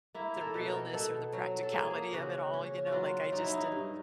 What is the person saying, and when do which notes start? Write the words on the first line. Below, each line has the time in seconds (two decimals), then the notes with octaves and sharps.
the realness or the practicality of it all, you know, like, I just didn't
0.14 A#3 E4
0.36 A4 A#4
0.54 B2 A4
0.68 A#4
0.94 B2 A4
1.33 F#3
1.63 A4
1.73 A#3 G#4
2.13 C#3 F#4
2.53 C#4
2.87 F#4
2.92 F#3 F4
3.32 F#3 D#4
3.43 E4
3.54 D#4
3.72 G2